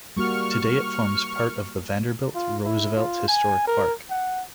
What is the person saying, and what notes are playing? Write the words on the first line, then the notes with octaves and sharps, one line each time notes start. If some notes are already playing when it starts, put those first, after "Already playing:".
Today it forms part of the Vanderbilt-Roosevelt Historic Park.
G3 A#3 F#4 C#6 F6
F4
E4
F4
G#5
A#4
F#5